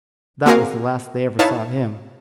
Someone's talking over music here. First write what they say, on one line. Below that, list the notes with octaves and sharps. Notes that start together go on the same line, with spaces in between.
That was the last they ever saw of him.
A#3 C4 F#4 G#4 A#4 F5
D#4 E4 B4 C#5 F5 A5